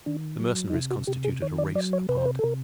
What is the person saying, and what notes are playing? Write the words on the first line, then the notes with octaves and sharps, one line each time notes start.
The Mercenaries constituted a race apart.
D#3 D4
F#3
D#4
C3 E4
F#4
C3 G4
G#4
D#3 C#5
D5
F#3 D5
C#5
C3 B4
C5
B4
A4
C3 A#4